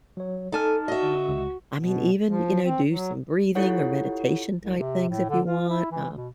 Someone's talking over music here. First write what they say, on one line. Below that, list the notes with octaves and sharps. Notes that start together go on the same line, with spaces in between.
um, I mean, even, you know, do some breathing or meditation type things if you want, um,
F#3 C#5
D#4 A4 G#5 A5 F6
F#4 D#5 E5
C#2
B2
F3
C4
F#3
E4 F4 G4 A4 C#5 F#5
C2
C3
A2
D3
F4
E4
E3
B2